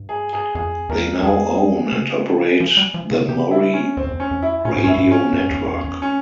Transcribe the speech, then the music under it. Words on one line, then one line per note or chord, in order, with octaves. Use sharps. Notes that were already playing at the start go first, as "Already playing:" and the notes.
They now own and operate the Murri radio network.
Already playing: G2
G#4
G#4
F2 G#4
E2 A#4
F2 G#4
C#3
F3
G3
F3
C#3
C#3 G4
E4
C#4
E2 C4
F2
E2
C#4
F2
E4
A#2 C#4
G#2
C#4
G2 E4
G#2
C#4
G2
E2
F2
E2
C#4